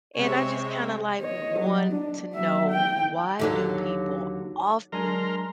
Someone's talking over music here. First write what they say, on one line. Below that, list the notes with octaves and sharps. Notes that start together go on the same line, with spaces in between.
And I just kinda, like, want to know why do people often
C3 G#3 C4 C#5 E5
C#5 D#5
F#3
D4
F#3 E5
G5
D#2 D3 F#3
F#3 G#3 D4 A#4 G#5 A#5 C6